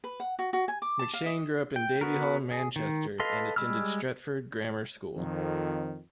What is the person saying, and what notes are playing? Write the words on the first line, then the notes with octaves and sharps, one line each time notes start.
McShane grew up in Davyhulme, Manchester and attended Stretford Grammar School.
B4
F#5
F#4
F#4
G#5
D6
A5
F5
D#5
G5
B3 F#4 A#4
G#4
D#3
A4 B4 D#5 F5 C6
G3 G#3 B5 E6 F6
F2 D#3